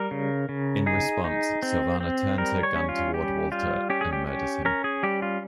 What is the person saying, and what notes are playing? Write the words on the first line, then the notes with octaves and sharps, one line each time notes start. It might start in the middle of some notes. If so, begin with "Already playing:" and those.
In response, Silvana turns her gun toward Walter and murders him.
Already playing: G3 A#4
C#3
C#3
D#4 G#4
D#4
C4
C4
G3 A#4
C#5
C#4
F4
G3 G4
G3 F4
C#4 G4
G#4
G4
C#4
C#4 A#4
G#4
G3 G4
F4